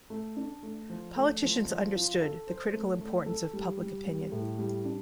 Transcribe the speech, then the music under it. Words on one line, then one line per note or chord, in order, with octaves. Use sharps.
Politicians understood the critical importance of public opinion.
A3
D4
A3
F3
A3
F3
F3
F4
A4
C5
A3
A3
A4
G3
G3
G3
A2
G3
D4